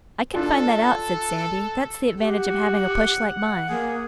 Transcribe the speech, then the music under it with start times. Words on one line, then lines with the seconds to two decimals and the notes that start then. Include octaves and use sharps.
'I can find that out,' said Sandy. 'That's the advantage of having a push like mine.
0.34 D4 F4 A4
2.19 G4 F#5
3.69 A#3 G#4